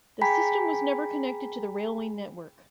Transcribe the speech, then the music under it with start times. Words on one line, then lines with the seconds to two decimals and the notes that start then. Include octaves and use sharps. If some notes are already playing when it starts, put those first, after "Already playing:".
The system was never connected to the railway network.
0.21 G#4 G5 G#5 A#5 B5 B6